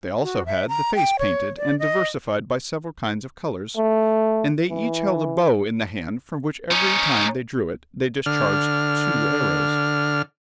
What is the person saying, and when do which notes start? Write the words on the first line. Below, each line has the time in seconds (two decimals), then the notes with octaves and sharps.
They also had the face painted and diversified by several kinds of colours, and they each held a bow in the hand, from which every-time they drew it, they discharged two arrows.
0.23 F#4
0.46 E5
0.68 A#5
0.95 G5
1.19 C#5
1.57 D5
1.79 D#5
3.77 A3
4.69 E3
6.71 C#4 D#4
8.26 D3 F6